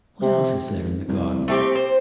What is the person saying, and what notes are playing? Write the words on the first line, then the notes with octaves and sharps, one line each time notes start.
"What else is there in the garden?"
C3
G#1
C2
A3 C4 G4
C5